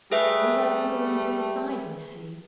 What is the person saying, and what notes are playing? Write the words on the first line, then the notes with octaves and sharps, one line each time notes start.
Where are you going to reside, Miss Hale?
G3 A3 G#4 B4 E5